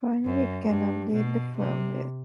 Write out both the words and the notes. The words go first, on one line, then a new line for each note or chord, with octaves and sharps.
Finally it can update the firmware.
F#2
G2
B2
C3